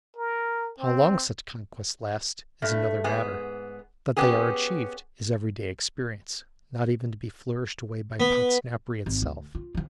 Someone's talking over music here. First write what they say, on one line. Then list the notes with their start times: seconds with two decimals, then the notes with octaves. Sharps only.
How long such conquests last, is another matter; that they are achieved, is every-day experience, not even to be flourished away by Podsnappery itself.
0.16 A#4
0.79 C4
2.62 G2 A3
3.04 G#2 B3 G#4
4.17 B3 C#4 G4 G#4
8.20 B3
9.06 G#1
9.22 D2
9.55 F4
9.75 E3 F3